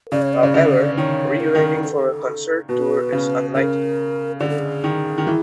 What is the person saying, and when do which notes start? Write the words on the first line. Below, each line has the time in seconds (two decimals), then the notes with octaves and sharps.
However, reuniting for a concert tour is unlikely.
0.12 C#3 D5
0.22 C#5
0.33 D5
0.43 C#3
0.54 D3
0.97 D#3 C#5
1.40 A#4
1.55 D#3
1.83 A4
2.69 B2 B4
3.12 C#3
3.55 C#3 A#4
4.40 D3 G#4
4.50 A4
4.59 G#4
4.84 D#3
5.18 D#3
5.27 E3